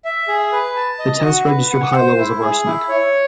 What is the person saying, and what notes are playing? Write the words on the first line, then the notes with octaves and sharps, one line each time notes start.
The test registered high levels of arsenic.
E5
G#4
B4
A5
D#5
F#4
B4
F#5
C5
E4
G#4
E4
C#5